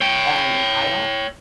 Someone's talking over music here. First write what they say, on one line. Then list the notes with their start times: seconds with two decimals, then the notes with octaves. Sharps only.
and I don't
0.01 C#5 G5